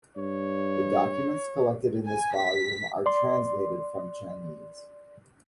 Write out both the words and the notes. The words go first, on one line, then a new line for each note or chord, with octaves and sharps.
The documents collected in this volume are translated from Chinese.
G2 C#5
G#5
B6
D5 C6